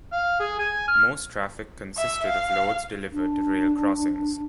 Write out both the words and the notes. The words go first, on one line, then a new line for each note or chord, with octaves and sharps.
Most traffic consisted of loads delivered to rail crossings.
F5
G#4
G#5
F6
E5
F5
D4